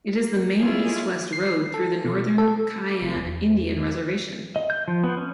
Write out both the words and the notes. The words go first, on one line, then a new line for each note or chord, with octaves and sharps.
It is the main east-west road through the Northern Cheyenne Indian Reservation.
A#4
G#3 A#3 E4 F4 G#4 C#5
C7
A4
B2
A4
F1
E2
D#5
G6
F3
B3
C#4